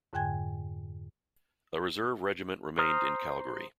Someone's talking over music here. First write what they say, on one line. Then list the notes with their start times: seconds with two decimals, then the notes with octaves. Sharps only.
A reserve regiment remained in Calgary.
0.13 F2 G#2 D3 G5 G#5 G#6
2.78 C5 A#5 D#6 F6